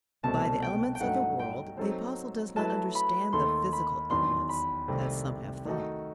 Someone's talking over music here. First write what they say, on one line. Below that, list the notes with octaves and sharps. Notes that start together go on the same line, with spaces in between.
By the elements of the world the Apostle does not understand the physical elements, as some have thought.
C2 B2 A3 C4 A5
G5
G5
G2 F#3 A3 D#4 F#5
G5
F#3 C4 D#4 A4 C5
F#3 A3 E4 B4 A5
B5
D#2 D#3 A3 D#4 A4 C6
B5
E2 D#3 F#3 C6
B5
C2 C3 D#3 A3 C4
D#3 A3 D#4 F#4 A4